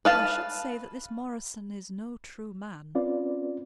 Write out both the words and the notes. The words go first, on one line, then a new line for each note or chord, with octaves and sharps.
But I should say that this Morison is no true man.
B4 F5 A5
C4 C#4 F4 B4 D5